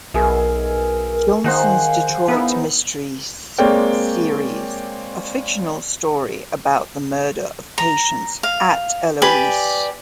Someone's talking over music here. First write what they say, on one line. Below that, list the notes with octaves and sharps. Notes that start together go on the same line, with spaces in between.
Johnson's Detroit mysteries series, a fictional story about the murder of patients at Eloise.
B1 G#4 A#4 E5
D#3 C5 F5 F#5 G#5
B3 D#4 E4 A#4
G#3 A#3 C4 C#5 D5 G5
A#5
F5
G4 B4 D5 G#5